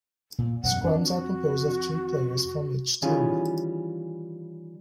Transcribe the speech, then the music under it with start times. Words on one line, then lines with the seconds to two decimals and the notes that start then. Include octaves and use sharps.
Scrums are composed of three players from each team.
0.39 A#2
0.63 E1 F#2 G3 F#5
0.83 F2 D4
1.04 F#4
3.02 D#3 E3 G3 C#4 F4 G#4